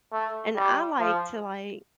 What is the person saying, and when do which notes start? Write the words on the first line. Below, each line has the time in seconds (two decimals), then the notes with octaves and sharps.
And I like to, like,
0.13 A3
0.56 G3
1.00 F3